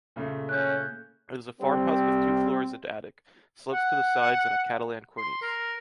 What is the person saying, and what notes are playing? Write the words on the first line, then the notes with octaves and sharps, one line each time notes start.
It is a farmhouse with two floors and attic, slopes to the sides and a Catalan cornice.
A#2 C#3 A3
C#4 F#6 G6
G3 C4
F#5
C6
A#4